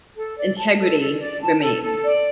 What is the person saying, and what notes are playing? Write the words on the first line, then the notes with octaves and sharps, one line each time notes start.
integrity remains.
A4
D5
A5
A4
A4
D5
A5
A4
A4
D5